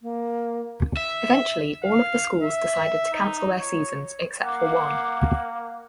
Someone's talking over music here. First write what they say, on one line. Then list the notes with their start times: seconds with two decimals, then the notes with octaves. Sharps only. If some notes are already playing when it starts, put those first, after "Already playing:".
Eventually all of the schools decided to cancel their seasons except for one.
0.02 A#3
0.97 E5
1.83 F5
2.43 E5
3.13 D#4
3.59 C#5
4.42 A#3 F5 F#5 D6